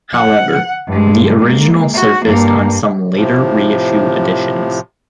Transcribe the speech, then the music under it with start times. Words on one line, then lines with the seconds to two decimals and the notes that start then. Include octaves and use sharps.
However, the original surfaced on some later reissue editions.
0.13 F#5
0.88 G2 G#3
1.39 G#3 A#3
1.94 F#4
2.25 G2 A#3
3.14 A2 C3 F3